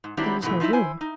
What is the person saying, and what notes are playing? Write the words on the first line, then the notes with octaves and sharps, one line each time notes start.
"There is no room."
G#2
D#3 F#3 G3 C4 D4 E4
G#2 B2 D#3 E3 A3
F3 C4 D#4 E4 E5
E4 C5 G#5
D#4